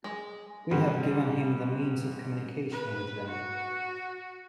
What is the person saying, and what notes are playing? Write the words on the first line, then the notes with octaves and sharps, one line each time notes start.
We have given him the 'means of communication' with Them.
G#3
G#2 C3 G3 F#4
B4
F#4